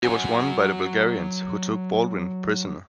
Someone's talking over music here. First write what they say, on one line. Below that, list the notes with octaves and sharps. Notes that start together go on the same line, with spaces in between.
It was won by the Bulgarians, who took Baldwin prisoner.
F#3 C#5 F#5 G#5